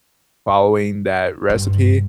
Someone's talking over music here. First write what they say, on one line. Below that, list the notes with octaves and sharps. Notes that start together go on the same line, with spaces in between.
following that recipe.
G2